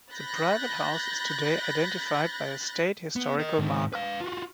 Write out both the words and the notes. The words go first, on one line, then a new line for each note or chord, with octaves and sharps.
The private house is today identified by a state historical marker.
B5 F#6 G6 A6 A#6
B3
A#4 D#5
G#2 D#3
B4 F5
F4 F#4